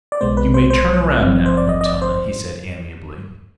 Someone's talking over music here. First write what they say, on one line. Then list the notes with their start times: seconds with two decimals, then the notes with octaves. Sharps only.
"You may turn around now, Quintana," he said amiably.
0.12 D5
0.21 B1 B2 G#3 B3 C5
0.37 B4
0.54 C5
0.70 C5
1.20 G#1 G2 F3 C4
1.46 C5
1.57 D5
1.69 D#5
1.81 D#5
1.86 D5
2.02 C5